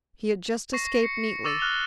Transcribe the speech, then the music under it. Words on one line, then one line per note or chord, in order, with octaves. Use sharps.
He had just escaped neatly.
C#6 A#6 C7
C7 C#7
C#6 D6 E6 A6 D#7
F6 F#6 F7 G7